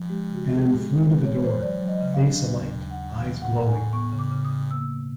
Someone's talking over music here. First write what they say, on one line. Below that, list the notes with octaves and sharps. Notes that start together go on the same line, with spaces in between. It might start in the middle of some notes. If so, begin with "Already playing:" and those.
Ann flew to the door, face alight, eyes glowing.
Already playing: F3
G#3 G4
C#3
F#4
E3
G#4
G4
G#3
G#3 G#4
G#3
E3 C#5
E3 C5
F#3 D5
F#3
D#5
C#3
F5
D4
D#2
D#2
D#2
F#5
D#2
E3 F5
A2
F#5
A2
G#5
A2
B3 C#6
C#3
D6
C#3
D#6
C#3
A#3 E6
B2